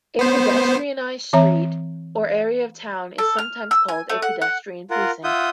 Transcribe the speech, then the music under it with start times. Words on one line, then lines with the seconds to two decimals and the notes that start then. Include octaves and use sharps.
A pedestrianised street or area of a town is sometimes called a "pedestrian precinct".
0.19 B3 C5
1.33 E3 C4 C#5 E5 A#5
3.18 A4
3.38 F6
3.71 E6
3.88 G#5
4.09 A3
4.22 F#5
4.42 F#5
4.90 F4 A#4 F#5
5.24 F4 E5 F#5 D#6 G6